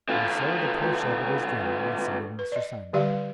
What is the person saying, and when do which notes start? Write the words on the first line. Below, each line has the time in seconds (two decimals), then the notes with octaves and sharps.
And so the poor shepherd was drowned instead of Mr. Simon!
0.09 D3 F4
2.39 B4
2.52 D5 D#5
2.93 D3 G3 G4 D5 F5